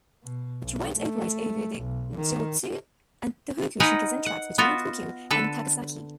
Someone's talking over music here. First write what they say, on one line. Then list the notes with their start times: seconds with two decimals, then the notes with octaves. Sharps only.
Trains operate over the Joetsu and Tohoku Shinkansen tracks between Tokyo and Takasaki.
0.23 B2
0.62 B1
0.96 A3
1.78 B1
2.16 D#3
3.80 D#4 A#4 B4 F#5 G#5
4.26 F#5
4.58 B3 F4 F#4
5.31 D3 A4 B4